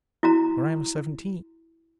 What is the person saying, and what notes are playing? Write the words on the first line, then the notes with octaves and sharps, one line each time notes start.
When I am seventeen.
E4 F#4 A#5